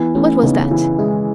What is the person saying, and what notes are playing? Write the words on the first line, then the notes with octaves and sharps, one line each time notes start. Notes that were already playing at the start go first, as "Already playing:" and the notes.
What was that?
Already playing: E3 B3
E3 A3 C#4
C#3 B3 D#4
E3
G#3 E4 G#4